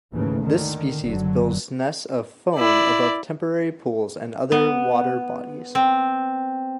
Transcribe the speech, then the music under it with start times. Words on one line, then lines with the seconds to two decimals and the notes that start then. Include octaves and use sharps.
This species builds nests of foam above temporary pools and other water bodies.
0.13 D#2 G#2 C#3 E3 A3
0.44 D3 D#3
1.01 F#1 D3 F#3
2.56 E4 D5
4.52 B3
5.75 C4